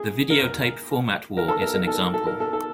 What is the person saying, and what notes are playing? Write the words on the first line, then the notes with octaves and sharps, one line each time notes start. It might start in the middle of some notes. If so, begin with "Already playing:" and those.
The videotape format war is an example.
Already playing: G#4
A#4
A#4
A4
A#4
A#4
A4
A4
A#4
A4
A4